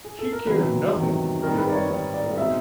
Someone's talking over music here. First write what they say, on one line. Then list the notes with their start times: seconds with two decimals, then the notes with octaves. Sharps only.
She cared nothing for the feelings of a ford.
0.04 G#4
0.19 A4
0.33 A#4
0.46 E2 C3 D#3 F#3 B4
0.93 E2 C3 D#3 F#3
1.42 G#2 D#3 G3 C4 A#4
1.58 B4
1.70 D5
1.74 C#5
1.90 G#2 D#3 G3 C4 C#5
2.14 D5
2.38 B2 G#3 C4 D#4 E5